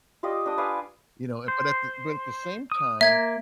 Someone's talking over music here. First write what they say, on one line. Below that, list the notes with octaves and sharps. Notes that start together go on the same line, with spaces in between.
You know? But at the but at the same time,
F4 G4 D5 D#5
D4 G5 D#6
B4 D5 F5 G#5
C5
D#6
A#3 E5 G#6